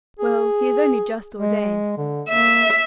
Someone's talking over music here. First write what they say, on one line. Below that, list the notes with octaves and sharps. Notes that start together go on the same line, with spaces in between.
Well, he is only just ordained.
G#4
G#3
D3
A#3 E5